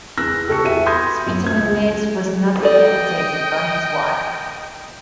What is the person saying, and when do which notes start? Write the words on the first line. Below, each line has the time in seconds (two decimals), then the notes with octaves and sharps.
Spitamenes was not decapitated by his wife.
0.18 E2 E6 F#6 A#6
0.48 G4 A4 C#6 C#7
0.64 E2 F#4 E5 D#7
0.86 B5 C6 D#6 G6 G#6 A#6
1.26 F#2
1.47 C#2 G#6
2.62 A4 D5 D#5 G5